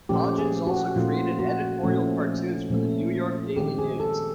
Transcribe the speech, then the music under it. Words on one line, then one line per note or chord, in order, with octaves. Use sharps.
Hodgins also created editorial cartoons for the New York Daily News.
A#2 F3 A3 C#4 G4
G#4
F#4
A#2 F3 A3 C#4 F4
F#4
A#2 F3 A3 C#4
A#2 F3 A3 C#4
D#3 G#3 C4 G4
G#4
A4